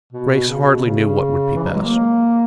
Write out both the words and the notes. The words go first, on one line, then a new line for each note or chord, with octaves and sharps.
Grace hardly knew what would be best.
B2
B2
C#3
B2
C#3
E3
F#3
G#3
A#3